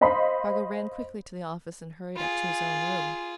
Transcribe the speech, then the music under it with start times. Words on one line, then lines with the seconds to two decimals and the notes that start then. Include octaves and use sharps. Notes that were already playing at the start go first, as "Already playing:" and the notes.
Spargo ran quickly to the office and hurried up to his own room.
0.01 C5 D#5 F5 B5 C6
2.17 F4 G#4